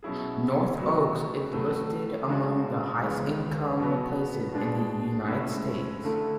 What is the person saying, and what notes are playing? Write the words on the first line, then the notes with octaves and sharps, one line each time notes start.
North Oaks is listed among the highest-income places in the United States.
B2 F#3 C#4 E4 G#4
A2 F#3 B3 F#4
A2 F#3 A3
C#3 G#3 D4 F#4
C#2 C#3 E3 G#3 B3
B2 F#3 B3
B2 G#3 D4 G#4
A2 G#3 C#4 E4
D2 D3 A3 E4